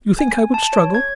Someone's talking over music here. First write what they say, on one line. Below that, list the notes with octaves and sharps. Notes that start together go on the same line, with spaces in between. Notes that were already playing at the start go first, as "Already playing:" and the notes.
You think I would struggle?
G#5
A5
C#5
G#6